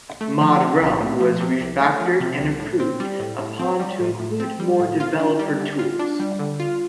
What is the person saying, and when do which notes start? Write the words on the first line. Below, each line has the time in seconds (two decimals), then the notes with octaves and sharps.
ModRealm was refactored and improved upon to include more developer tools.
0.21 A3
0.41 F3
0.61 C3
0.81 C2
1.01 A3
1.20 F3
1.40 C3
1.61 C2
1.80 A3
2.00 F3
2.20 C3
2.40 C2
2.60 A2
2.80 C4
3.00 G3
3.20 A2
3.40 A2
3.59 C4
3.80 G3
4.00 A2
4.20 A2
4.40 C4
4.60 G3
4.80 A2
5.00 F4
5.19 D4
5.39 G3
5.60 D3
5.79 F4
5.99 D4
6.20 G3
6.39 D3
6.60 F4